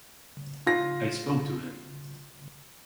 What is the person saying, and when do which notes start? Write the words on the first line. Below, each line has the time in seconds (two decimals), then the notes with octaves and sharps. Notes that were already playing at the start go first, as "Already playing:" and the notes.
I spoke to him.
0.66 F4 A#6